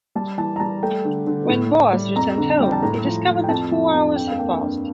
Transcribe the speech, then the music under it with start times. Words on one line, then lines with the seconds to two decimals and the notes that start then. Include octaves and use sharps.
When Boas returned home, he discovered that four hours had passed.
0.15 G3 A5
0.38 E3 A5
0.56 A#5
0.60 G3 A5
0.83 A3 G5
1.05 D3
1.27 D3
1.49 A2
1.72 A2
1.93 G3
2.16 F2 A#5
2.38 D3
2.60 G3 G5
2.72 A5
2.82 A2 A#5
3.05 F3
3.27 F3
3.44 G5
3.49 F2 A5
3.71 F3
3.94 F2
4.16 G2 G5
4.27 F5
4.38 A#3 G5
4.60 G2